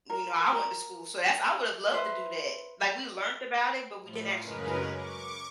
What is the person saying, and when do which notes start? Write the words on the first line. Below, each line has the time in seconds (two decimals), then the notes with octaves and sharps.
you know, I went to school, so that's I would have loved to do that. Like, we learned about it, but we didn't actually do it.
0.10 A#4
0.52 A#4
1.92 B4 C5 E5
4.03 A2 F3
4.41 F#2 C#3 G#3 C#4 A#4 B4
4.92 C#6 D6